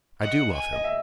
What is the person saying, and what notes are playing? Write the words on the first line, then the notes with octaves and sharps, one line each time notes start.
I do love him.
D#5 F#5
G#5
D#5
E5